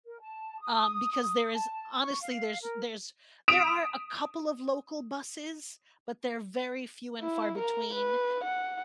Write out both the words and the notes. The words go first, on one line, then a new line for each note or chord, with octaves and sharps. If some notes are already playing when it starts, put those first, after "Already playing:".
um, because there is Honestly, there's there's there are a couple of local buses, but, they're very few and far between,
A#4
A5
D#6
A5
C#6
F5
A#4
D#6 B6 D7 E7 F7
E4
A#4
B4
F#5